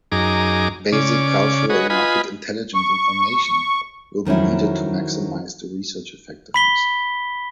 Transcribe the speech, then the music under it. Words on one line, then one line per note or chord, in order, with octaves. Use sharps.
Basic Cultural and Market intelligence information will be needed to maximize the research effectiveness.
F#2 D#4 G#4 A#5 D6
C#3 C#4 D5 D6
F#4 G#4 B4 C#5 D#5
F4 B4 D#5 G#5 B5
C#6
F2 D#3 F#3 C#4 E4
B5 B6 G7